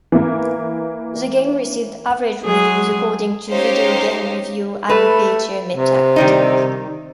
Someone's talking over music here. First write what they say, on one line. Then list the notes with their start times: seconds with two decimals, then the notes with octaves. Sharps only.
The game received "average" reviews according to video game review aggregator Metacritic.
0.12 E3 A#3
2.44 F#3 G#3 G#4
3.50 C#4 D#4 G4 C5 C#5 F5
4.89 A3 B4
5.76 C3
6.16 D#3 G3 D#4